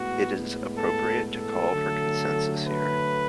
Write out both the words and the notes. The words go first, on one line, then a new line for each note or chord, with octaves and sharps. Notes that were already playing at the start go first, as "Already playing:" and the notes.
It is appropriate to call for consensus here.
Already playing: A2 G#3 B3 F#4
A4
A4
D3 F#3 A3
B4